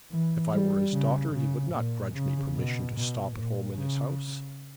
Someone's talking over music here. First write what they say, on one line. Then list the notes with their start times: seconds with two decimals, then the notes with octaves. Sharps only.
If I were his daughter he would not grudge me permission to stop at home in his house.
0.11 E3
0.52 G3
0.93 C#3
1.33 C#3
1.74 A#2
2.14 C#3
2.55 B2
2.95 B2
3.36 A#2
3.76 C#3